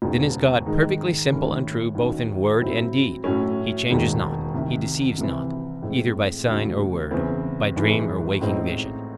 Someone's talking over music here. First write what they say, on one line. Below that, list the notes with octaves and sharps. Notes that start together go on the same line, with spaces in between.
Then is God perfectly simple and true both in word and deed; he changes not; he deceives not, either by sign or word, by dream or waking vision.
E1 D#2 C#3
G#2 D#3 G#3 D#4
G#2 D#3 A3 C#4 E4
D#2 D#3 F#3 C#4
G#2 F#3 C4 E4
A2 F#3 A3 C#4
E1 D#2 D#3 G#3
C2 C3 D#3
C2 C3 E3 C4
A2 G#3 C4
D#2 C#3 F#3 A3
E2 C#3 E3 C4
G#1 G#2 E3 G#3
A1 A2 G#3 C4 D#4